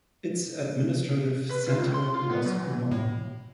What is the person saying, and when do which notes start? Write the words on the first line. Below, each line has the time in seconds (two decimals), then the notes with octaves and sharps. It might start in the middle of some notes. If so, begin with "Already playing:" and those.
Its administrative centre was Uman.
1.50 B4
1.68 F4
1.79 C#2
1.94 C6
2.15 F4
2.30 B3
2.46 F#3
2.60 E3
2.91 A2